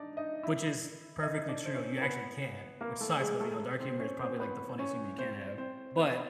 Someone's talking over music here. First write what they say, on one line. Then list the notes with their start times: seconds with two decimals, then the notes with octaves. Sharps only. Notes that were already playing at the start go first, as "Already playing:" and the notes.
Which is perfectly true, you actually can't- which sucks 'cause, you know, dark humor is probably, like, the funniest humor you can have. But
Already playing: D4 D#4 D5
0.17 D#4 D#5
0.43 E4 E5
1.23 D#4 D#5
1.49 D4 D5
1.66 C5
1.75 C#4 C#5
2.02 B3 B4
2.81 A#3 A#4
3.00 A3 A4
3.20 G#3 G#4
3.40 A3 A4
3.80 C4 C5
3.99 C#4 C#5
4.19 C4 C5
4.40 B3 B4
4.79 C#4 C#5
5.18 C4 C5
5.58 C4 C5
5.97 B3 B4